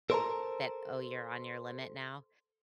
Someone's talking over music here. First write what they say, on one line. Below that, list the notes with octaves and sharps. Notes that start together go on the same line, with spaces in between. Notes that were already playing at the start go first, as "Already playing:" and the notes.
that, "Oh, you're on your limit now."
A4 A#4 C5 C#5 A5 A#5